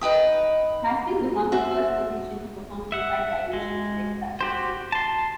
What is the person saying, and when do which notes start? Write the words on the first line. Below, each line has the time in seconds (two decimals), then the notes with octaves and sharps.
Haskell was not the first physician to perform intact dilation and extraction.
0.01 D#4 B4 G5 D#6
1.52 F#4 C5 E5
2.92 E5 F#5
3.53 G#3
4.41 F#4 G4 C5
4.92 A5 C6